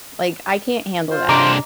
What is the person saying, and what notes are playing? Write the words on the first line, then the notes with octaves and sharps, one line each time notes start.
like, "I can't handle that."
F4 C5
C3 D4 D#5 A#5 D6